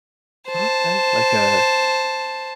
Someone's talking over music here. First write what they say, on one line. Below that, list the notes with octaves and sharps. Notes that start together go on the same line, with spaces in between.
Okay, like a
C5 A5